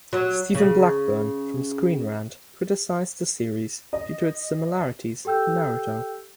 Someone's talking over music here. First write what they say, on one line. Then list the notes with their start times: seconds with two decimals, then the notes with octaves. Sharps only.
Steven Blackburn from "Screen Rant" criticized the series due to its similarities to "Naruto".
0.13 F#3
0.55 C#3
3.93 D#5
5.25 G4 A4 G5 E6 G6